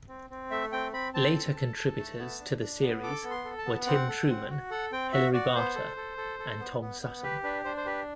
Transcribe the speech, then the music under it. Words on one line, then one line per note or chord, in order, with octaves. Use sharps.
Later contributors to the series were Tim Truman, Hilary Barta, and Tom Sutton.
C4
C4
A3 E5
C4 G5
C4 B5
C4 A5
A4
A4
A4
A3
B3
D4
D4
B3
A4 D6
B3
C6
A4
A5
B3
C4 F#5
A4
C4
F#4
A4 F#5
C4 G5
F#4 E5
F#4 D5
B3 C5
A4
A4
A4
A4
B3
B3
B3
G4 B4
D4 B4
D4 C5
C5
G4 B4